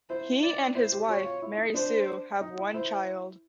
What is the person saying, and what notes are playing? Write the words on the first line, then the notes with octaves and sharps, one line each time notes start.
He and his wife Mary Sue have one child.
E4 C5
D5
E4 C5
G4
F#4 C#5
F4
E4
D#4
D4 C5
D#4
E4
E4 C5